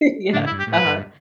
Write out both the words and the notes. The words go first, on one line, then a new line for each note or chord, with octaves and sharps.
yeah, uh-huh.
A2 D3 D4
E4
G2
G4
A2
B4
G2